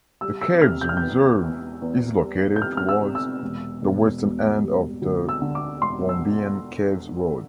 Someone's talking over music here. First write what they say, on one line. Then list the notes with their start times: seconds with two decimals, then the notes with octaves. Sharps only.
The caves reserve is located towards the western end of the Wombeyan Caves Road.
0.21 G3 E6
0.42 E6
0.61 C3 F6
0.81 G6
0.89 F6
0.97 E2 G6
1.42 E2
1.82 E2
2.22 G3
2.56 G6
2.62 G3 F6
2.77 F6
2.89 E6
3.02 C3
3.15 E6
3.42 E1
3.82 E1
4.22 E1
4.62 G3
5.02 D2
5.29 E6
5.42 D3
5.55 D6
5.82 E1 C6
6.09 E6